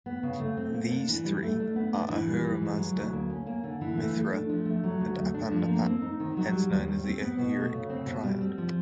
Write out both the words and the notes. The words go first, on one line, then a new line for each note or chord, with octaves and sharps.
These three are Ahura Mazda, Mithra, and Apam Napat-hence known as the "Ahuric triad".
B3
C#3
A3
C4
A#3
D4
E3
G3
A3
D4
B3
D4
E3
G3
E3
G#3
F#3
D2
A#3
C#4
A#3
D3
E3
A3
A3
D4
F3
A3
F#3
D2
A3
D4
F3
A#3
C4
D#4
D#3
F#3
G3
D#2
G3
C4
B3
B2
A3
C#3
C4
B2
G3
C4
F3